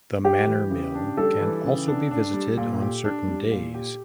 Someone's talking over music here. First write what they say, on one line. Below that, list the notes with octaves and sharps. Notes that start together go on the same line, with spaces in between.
The manor mill can also be visited on certain days.
G3 G4
E3
C#3
D4
G3 A4
E3
C#3
D4
D4
G3
A#2
G4
D4
G3
A#2
G4